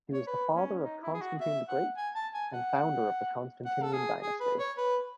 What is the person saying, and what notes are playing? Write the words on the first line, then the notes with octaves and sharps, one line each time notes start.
He was the father of Constantine the Great and founder of the Constantinian dynasty.
C#5
B4
C#4
D#4
E4
G#4
F#4
E5
F#5
G#5
A5
G#5
F#5
F#5
A4
G#4
G#4
B4
C#5
B4